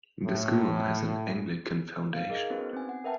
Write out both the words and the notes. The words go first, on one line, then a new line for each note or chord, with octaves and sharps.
The school has an Anglican foundation.
A2
D#4 F5
G#4 A#4 D#5
B3 C#4 D#4 F#4 B4 C5
C4 G#5
F#5
A#4 B4 E5 F#5 G5 A5